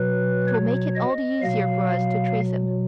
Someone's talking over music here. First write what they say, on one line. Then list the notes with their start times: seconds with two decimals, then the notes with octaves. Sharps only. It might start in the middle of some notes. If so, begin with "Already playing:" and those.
It will make it all the easier for us to trace him.
Already playing: B2 F#3 B4
0.48 C#5
0.95 D#5
1.41 B2 F#3 F5